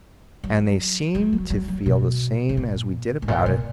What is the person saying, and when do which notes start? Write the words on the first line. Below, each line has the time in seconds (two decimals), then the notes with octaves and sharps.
And they seemed to feel the same as we did about it.
0.44 F#3
1.15 F#3
1.33 F#3
1.50 F#3
1.68 F#3
1.86 B2
2.49 B2
2.57 A#2
3.22 G#2
3.28 A#2
3.46 B2